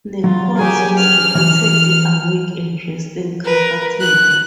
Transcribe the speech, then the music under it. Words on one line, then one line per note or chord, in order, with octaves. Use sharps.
Nichols was reportedly awake and resting comfortably.
F#3 F4
F#3 G4 G#4 G#5 A#5
F6
E3
A#4 B4
F#6